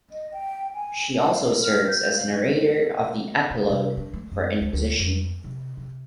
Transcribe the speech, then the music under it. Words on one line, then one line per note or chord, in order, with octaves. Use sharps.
She also serves as the narrator of the epilogue for "Inquisition".
D#5
G5
G#5
A5
F5
A#4
F6
G6
F5
D4
C3
D4
A3
F#2
D2
D2
F2
C3
C3